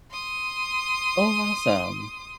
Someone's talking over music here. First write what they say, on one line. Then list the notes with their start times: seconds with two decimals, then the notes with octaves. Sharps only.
Oh, awesome.
0.11 C6 D#6